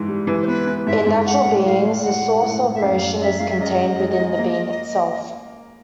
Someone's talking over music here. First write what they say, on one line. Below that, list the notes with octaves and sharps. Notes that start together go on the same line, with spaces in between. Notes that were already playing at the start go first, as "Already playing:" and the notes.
In natural beings, this source of motion is contained within the being itself.
Already playing: G#2 E3
G3
E3
C5
B3 B4
E3
G#2 E5
G#2
G#3 F#5
A2
A2 F5
A2
A2 F#5
A2
A2
A2
E5
F#2 F5
F#2
F#2 E5
G#3 F5
E5
F#2 D#5
F#2
G#3
G#3
A#3